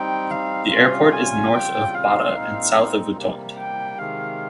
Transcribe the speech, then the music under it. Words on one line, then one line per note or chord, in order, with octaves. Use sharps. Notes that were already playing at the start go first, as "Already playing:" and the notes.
The airport is north of Bata and south of Utonde.
Already playing: G3 C4 D#4 G5
F5
C3 G3 C#4 F4 F5
G#5
C#3 G3 C4 F4 G5
F5
A#2 G#3 C4 D#4
C3 G3 A#3
G5
C3 D#3 G#3 F5